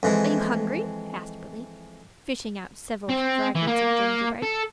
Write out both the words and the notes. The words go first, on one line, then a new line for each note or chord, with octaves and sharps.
"Are you hungry?" asked Billy, fishing out several fragments of gingerbread.
F2 E3 G#3
C4
E3
A#3
A4